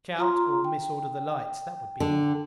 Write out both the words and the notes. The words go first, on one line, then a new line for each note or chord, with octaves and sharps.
Shout, or mis-order the lights. That would be easy.
F4 A#5 C6
G5
D3